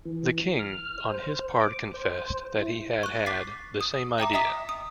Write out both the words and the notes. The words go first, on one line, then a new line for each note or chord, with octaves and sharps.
The king, on his part confessed that he had had the same idea.
E3
F6
C5
D6
C5
E4
C#6 F#6
D6 A6 B6 C7
D#6
E5 G5 A#5 D6
D#5 E5 A#5 D#6 B6
D#6